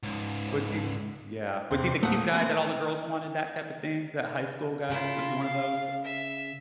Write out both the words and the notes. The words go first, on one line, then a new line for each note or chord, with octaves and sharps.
Was he Yeah. Was he the cute guy that all the girls wanted, that type of thing? That high school guy? Was he one of those?
C#2 G#2
E2 C3 C4
A#2 A3 F#5 D#6
A#3 C4 F#5
A3
C#3 E4 F4 A#4
F5
E5